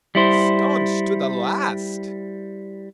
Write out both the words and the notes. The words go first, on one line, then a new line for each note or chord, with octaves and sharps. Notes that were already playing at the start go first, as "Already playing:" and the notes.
Staunch to the last!
G3 E4 C5